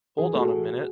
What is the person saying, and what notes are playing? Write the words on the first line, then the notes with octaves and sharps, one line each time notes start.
Hold on a minute!
E3 G#4
A3
F#4